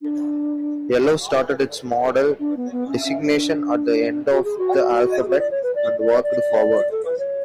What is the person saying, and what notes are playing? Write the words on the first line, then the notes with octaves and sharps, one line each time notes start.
Yellow started its model designation at the end of the alphabet and worked forward.
D4
D4
B3
B3
C#4
C#4
D4
F#4
G#4
F#4
G#4
F#4
D5
C#5
B4
D5
D5
D5
A4
B4
C#5